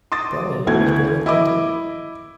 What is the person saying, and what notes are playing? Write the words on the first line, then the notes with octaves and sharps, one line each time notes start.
Brolly was born in London.
C6 D6 D#6 A6
D2 E3 A3 B3 G#6
E4 D#5 B5 D6